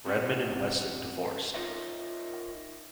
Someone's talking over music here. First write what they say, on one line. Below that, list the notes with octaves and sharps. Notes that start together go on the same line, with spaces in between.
Redmond and Weston divorced.
C3 C#4 F#4
D#4 F4 A#4 C#5 D#5 E5